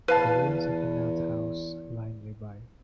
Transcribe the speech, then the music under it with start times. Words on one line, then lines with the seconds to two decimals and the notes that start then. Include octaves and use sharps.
The ruins of an outhouse lie nearby.
0.08 E2 B4 F5 A5